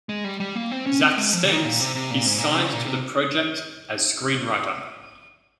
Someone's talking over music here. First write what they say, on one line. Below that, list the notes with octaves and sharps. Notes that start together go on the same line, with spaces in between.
Zack Stentz is signed to the project as screenwriter.
G#3
G3
G3
A#3
C4
C#4
C4
G#3
F3
C#3
D#3
A#2
C3
C3
A#2
G#2
A#2
C3
C#3
A#2
C3